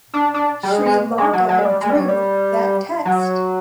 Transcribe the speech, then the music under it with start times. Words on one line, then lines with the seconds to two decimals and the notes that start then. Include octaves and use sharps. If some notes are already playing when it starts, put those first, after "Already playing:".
Sri Lanka drew that Test.
0.14 D4
0.34 D4
0.63 G3
0.71 G#3
0.86 G#3
1.18 G#3
1.33 F#3
1.49 F#3
1.58 G#3
1.65 G3
1.81 G#3
1.90 G3
1.99 F#3
2.08 G3
3.05 F#3